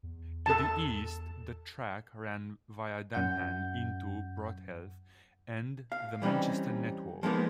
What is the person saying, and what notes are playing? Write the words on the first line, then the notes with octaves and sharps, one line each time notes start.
To the east, the track ran via Dunham into Broadheath and the Manchester network.
E2
A4 A5
F#2 F#5 G6
F5
E3 G3 C4 C#4 D#4
F3 G#3 A#3 B3 D#4